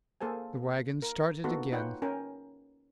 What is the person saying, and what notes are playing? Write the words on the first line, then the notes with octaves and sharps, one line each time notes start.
The wagon started again.
A#3 G#4 A4 C5 G#5
A#4
A#3 B3 D#4 F#4 A4
D#4 F4 B4 C#5 F#5 G5
C#4 A#4 G5 G#5